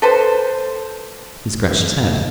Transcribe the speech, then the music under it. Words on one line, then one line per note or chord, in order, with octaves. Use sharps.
He scratched his head.
A4 B4 C5